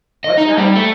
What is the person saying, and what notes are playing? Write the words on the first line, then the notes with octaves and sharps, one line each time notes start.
"What's that?"
D#5
D#4
G3
A3